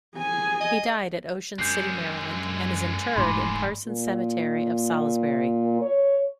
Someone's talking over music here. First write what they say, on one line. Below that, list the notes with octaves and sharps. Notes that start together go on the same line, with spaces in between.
He died at Ocean City, Maryland, and is interred in Parsons Cemetery of Salisbury.
G#4 G#5
D#5
F#2 D3 G#3 G6 C7
E1 G#2 A3 B5 C6 D6
A#2
C#5